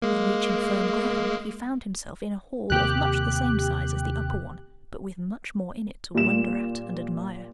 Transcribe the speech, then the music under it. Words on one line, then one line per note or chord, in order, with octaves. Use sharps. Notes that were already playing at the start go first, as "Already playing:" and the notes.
On reaching firm ground he found himself in a hall of much the same size as the upper one, but with much more in it to wonder at and admire.
G#3 A#3
D#2 C3 A#3 G4 F#6
A#2 G3 E7